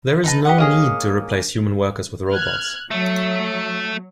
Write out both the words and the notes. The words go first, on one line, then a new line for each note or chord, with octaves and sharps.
There is no need to replace human workers with robots.
D#4 B4 A5
G4 D#5 F#5
A#3 C#4 G#4 D#5 D#6
F6 F#6 G#6
F#3 A3